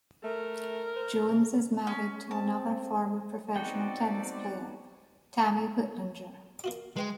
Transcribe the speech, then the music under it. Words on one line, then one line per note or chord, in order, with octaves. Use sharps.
Jones is married to another former professional tennis player, Tami Whitlinger.
A3 A#4
C5
C#4
C4 A5
B3 C4 D#4 F#4 D5 G5
A#3 F4 F#4
G#3 B4 G5 C6